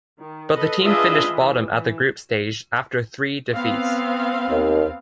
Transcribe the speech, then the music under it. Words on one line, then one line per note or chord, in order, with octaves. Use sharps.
But the team finished bottom at the group stage, after three defeats.
D#3
A4 B4 D#5
D4 F4 G#4 B4 D#5 E5
E3
E3
B3 C4 F5
D#2